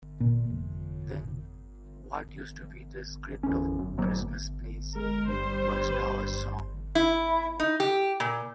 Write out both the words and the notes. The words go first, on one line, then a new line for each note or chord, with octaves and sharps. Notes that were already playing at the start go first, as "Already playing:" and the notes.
Then, what used to be the script of a Christmas play, was now a song.
A#2
F1
E2 C#4
F#2
F#2 A2 F#3 A#3
G#3 A#4
G2 G3 C5
E4
D#4
G4
A#2